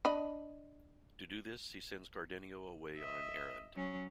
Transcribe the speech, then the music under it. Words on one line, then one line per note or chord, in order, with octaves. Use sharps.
To do this, he sends Cardenio away on an errand.
D4 D#5 B5
D#5 E5
F#3 C#4